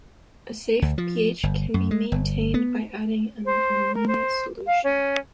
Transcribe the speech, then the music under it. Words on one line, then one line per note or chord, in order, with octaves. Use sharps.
A safe pH can be maintained by adding an ammonia solution.
D2
F3
G1
F#2
G#3
G1
B3
C5
A#4
C5
F5
C#4